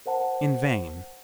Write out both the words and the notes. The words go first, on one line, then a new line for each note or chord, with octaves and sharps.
In vain.
A#4 C5 F#5 A5